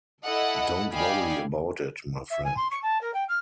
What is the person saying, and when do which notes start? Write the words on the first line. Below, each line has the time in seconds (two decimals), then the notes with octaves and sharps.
Don't worry about it, my friend.
0.24 E4 A4 D#5 F#5
0.92 G4 D5 D#5 F5 G#5 B5
2.30 E5
2.44 G#5
2.56 C6
2.70 C#6
2.82 A5
3.01 A#4
3.13 G5
3.28 F6